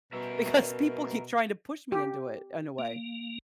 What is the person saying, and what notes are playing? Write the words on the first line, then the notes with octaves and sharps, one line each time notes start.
because people keep trying to push me into it, in a way,
B2 A#4 E5
G4
A#3